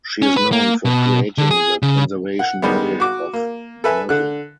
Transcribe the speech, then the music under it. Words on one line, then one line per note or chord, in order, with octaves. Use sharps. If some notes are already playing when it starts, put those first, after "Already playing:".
She is known for creating the Conservation Model of nursing.
C#4
B4
A#3
B2
D3
G#4
C#3
F#5
D#3 G3 G#3 B3
F#4 D6
A#3
A4 B4 E5 G#5
D3 F#6